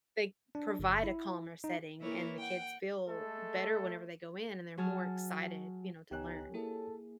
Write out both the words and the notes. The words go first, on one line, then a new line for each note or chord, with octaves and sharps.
they provide a calmer setting, and the kids feel better whenever they go in, and they're more excited, you know, to learn.
D4
G1
E4
D#4
E3 A#3 E4 C#5
F#5 G5
G#3 A3 A4
F#3 G#4 A5 F6
C#2 B3 D#4 G4 C#5 G#5 F#6
A#3 E4 G#4 A4